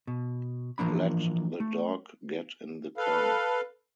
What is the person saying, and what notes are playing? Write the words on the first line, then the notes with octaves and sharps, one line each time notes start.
Let the dog get in the car.
B2
E3 F3 A#3 D4 B5
A3
A4 B4 F5